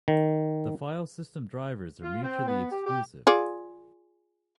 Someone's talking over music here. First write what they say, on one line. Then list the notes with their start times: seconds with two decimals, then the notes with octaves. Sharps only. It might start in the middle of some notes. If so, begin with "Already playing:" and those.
The filesystem drivers are mutually exclusive.
0.08 D#3
2.01 F4
2.22 C4
2.46 B3
2.70 G4
2.85 G4
3.27 F4 G#4 D5